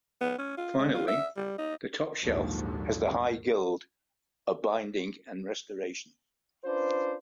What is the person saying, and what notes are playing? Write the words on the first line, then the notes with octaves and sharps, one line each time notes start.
Finally, the Top Shelf has the High Guild of Binding and Restoration.
B3
C#4
F4
G#3
F4
E5
G3
D#4
A#1 D#2 G#2 D3 F3 F#3
C#4 D4 F4 B4 C5